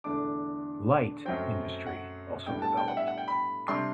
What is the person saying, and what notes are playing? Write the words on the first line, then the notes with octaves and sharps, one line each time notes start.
Light industry also developed.
E2 D3 A3 D4 D6
F#2 F#3 A3 C4 G5
F#5
A2 G3 B3 D4 G5
A5
G5
F#5
E5
F#5
G5
B5
C3 G3 D4 C6